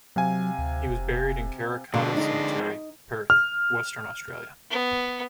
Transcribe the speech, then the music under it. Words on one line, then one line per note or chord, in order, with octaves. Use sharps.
He was buried in Karrakatta Cemetery, Perth, Western Australia.
C3 F#3 F5 G#5
D2
F1
F2 B2 D3 G#3 D4
F2 G#3 D#4
F6
B3